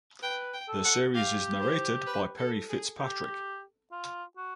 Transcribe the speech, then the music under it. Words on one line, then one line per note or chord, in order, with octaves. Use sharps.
The series is narrated by Perry Fitzpatrick.
B4 G5
G5
A4
F#5
G4 F5
C5
B4
A4
G#4
G4
F4
F#4